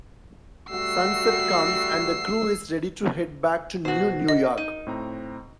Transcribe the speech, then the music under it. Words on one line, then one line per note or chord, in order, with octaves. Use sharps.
Sunset comes, and the crew is ready to head back to New New York.
G3 A3 F#4 E6 C7
B2 F#4 C5
A#4 D#5
D#4
A2 C4 A#5